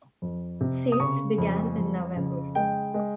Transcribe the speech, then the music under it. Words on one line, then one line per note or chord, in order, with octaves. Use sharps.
Sales began in November.
F2
C3
D#6
C#3 C#6
F2
F2
C#3
G#3 G5
G#3